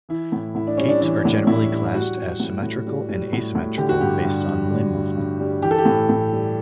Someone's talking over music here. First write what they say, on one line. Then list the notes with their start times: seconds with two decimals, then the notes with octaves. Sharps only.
Gaits are generally classed as "symmetrical" and "asymmetrical" based on limb movement.
0.09 E3 E4
0.32 A2
0.55 A2 E4
0.67 D4
0.77 G3 C#4
0.89 D4
1.01 E3 D4
1.25 A2
1.47 A2 E4
1.71 G3
1.94 G3 F#4
2.17 G3
2.40 A2
2.62 A2
2.87 G3
3.09 G3
3.33 A2
3.55 A2
3.78 D3 G4
3.89 F#4
4.01 G2 G4
4.25 G2
4.47 G3
4.71 D3
4.94 G2
5.17 G2
5.40 G3
5.62 E3 G4
5.71 A4
5.78 G4
5.85 A2
6.09 A2
6.32 G3